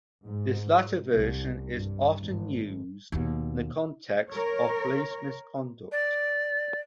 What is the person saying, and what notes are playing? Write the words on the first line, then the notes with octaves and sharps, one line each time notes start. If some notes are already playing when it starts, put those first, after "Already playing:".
This latter version is often used in the context of police misconduct.
G#2
C2
G2
G#1
D#2 B2
A#4 C#5
D5